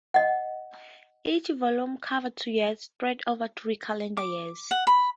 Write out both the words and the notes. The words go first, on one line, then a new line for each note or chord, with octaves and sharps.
Each volume covered two years, spread over three calendar years.
D#5 F#5
D6
F#5
B5